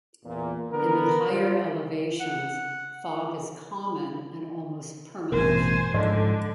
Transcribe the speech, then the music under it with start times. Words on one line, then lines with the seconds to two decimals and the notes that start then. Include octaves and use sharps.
In the higher elevations fog is common and almost permanent.
0.25 E2 A#2
0.72 D3 E3 B3 A#4
1.30 G3 F4 C5
2.20 F#5
5.32 A1 G2 B2 A#4 C5 G#5
5.94 G#2 D3 F3 G#3 D5 D#5 C6